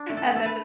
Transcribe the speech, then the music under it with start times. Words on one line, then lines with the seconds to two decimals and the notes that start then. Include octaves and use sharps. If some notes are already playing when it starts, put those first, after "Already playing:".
and then, ju
Already playing: D4
0.09 A3
0.17 A4
0.32 A3 A4
0.46 B4